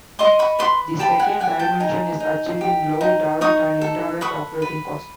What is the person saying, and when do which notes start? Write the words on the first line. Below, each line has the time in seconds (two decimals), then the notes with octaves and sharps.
The second dimension is achieving low direct and indirect operating costs.
0.19 D#5 C6 D6
0.39 B5 C#6
0.59 B4 C6 D6
0.99 G4 A5 B5
1.19 F#5 G#5
1.40 G4 F#5 G#5
1.59 G5 A5
1.80 D#4 G#5 A#5
2.20 D#4
2.61 G4
3.01 D#4
3.41 D#4 C#6 D#6
3.81 A4
4.21 B4 C#6 D#6
4.62 B4